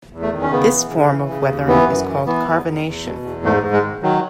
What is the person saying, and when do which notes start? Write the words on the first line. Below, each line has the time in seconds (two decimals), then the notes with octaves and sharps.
This form of weathering is called carbonation.
0.13 E2
0.22 A3
0.33 D#3
0.42 C#4
0.51 C#3 B3
0.71 E3
0.90 C#3
1.09 E3
1.29 C#3
1.49 D#2
1.68 E3 B3
1.87 F#2
2.08 E3
2.26 E3 B3
2.46 E2
2.66 E2
2.86 E2
3.04 B2
3.23 E2
3.44 G#2 A3
3.63 G#2
3.73 G#3
3.82 D#3
4.01 D#3 F#3